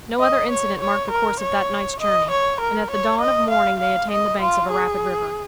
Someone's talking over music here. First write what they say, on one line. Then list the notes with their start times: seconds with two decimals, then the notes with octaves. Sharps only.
No other incident marked the course of that night's journey, and at the dawn of morning they attained the banks of a rapid river.
0.20 D#5
0.51 C#5
0.81 C#5
1.11 A#4
1.40 C#5
2.00 D#5
2.31 C#5
2.61 A#4
2.91 C#5
3.21 D#5
3.51 F5
3.80 F5
4.11 D#5
4.41 F4
4.71 G#4